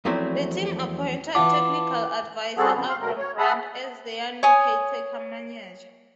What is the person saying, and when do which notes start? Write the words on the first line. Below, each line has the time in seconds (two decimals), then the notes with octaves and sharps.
The team appointed technical advisor Avram Grant as their new caretaker manager.
0.05 E2 F3 F#3 A3 C4 E4
1.35 E3 F4 F#5 A5 D6
2.57 G3 C4 F#4 G#4 A4
2.73 F2 C#3 B3
2.87 F5 C6
3.01 B2 F#3 A3 A#4
3.18 C#5
3.38 G#4 E5 F#5 A5 B5 D#6
4.43 C#5 G#5 D#6